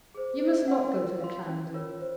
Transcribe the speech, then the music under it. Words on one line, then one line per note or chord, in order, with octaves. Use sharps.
'You must not go to the Clarendon.
G#4 C5
C5
F#5 C6
A#4
F5 C6
C#4
F4 A#4 C#5
C5